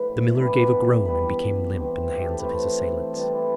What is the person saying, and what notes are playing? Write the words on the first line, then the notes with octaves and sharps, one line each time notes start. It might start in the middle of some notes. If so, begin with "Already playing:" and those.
The miller gave a groan and became limp in the hands of his assailants.
Already playing: A2 F3 A3 D4 B4
E3 G3 B3 D4 B4
E3 G3 B3 D4 B4
E3 A3 C4
G4
A4
B4
E3 A3 C4 C5
E3 G3 C4 A4
E4